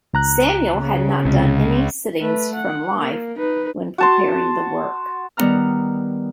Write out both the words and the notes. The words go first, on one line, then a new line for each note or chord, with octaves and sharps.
Samuel had not done any sittings from life when preparing the work.
C#2 A#5 F#6
C#3
C#2 C3
A3 B4
F#5
A#3
D#4 B4
F#4 A5 C6
D#3 G3 B3 F#5 A#5 F6